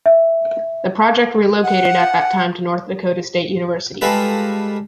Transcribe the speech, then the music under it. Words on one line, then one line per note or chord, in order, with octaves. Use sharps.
The project relocated at that time to North Dakota State University.
E5
F#5
G3 G#3 F4 A4 B4